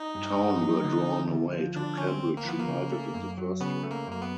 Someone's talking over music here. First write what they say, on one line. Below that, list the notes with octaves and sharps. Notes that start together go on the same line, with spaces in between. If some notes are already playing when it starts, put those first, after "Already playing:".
Town were drawn away to Cambridge United in the first round.
Already playing: D#4
G2
G2
F#3
D3
D2
D2
F3
D3 D4
D2 C#4
C4
D2
A#3
F3 B3
A#3
C#3
A3
F#2
F#3
C#3 B3
A3
A#3
F#2 A#3
B3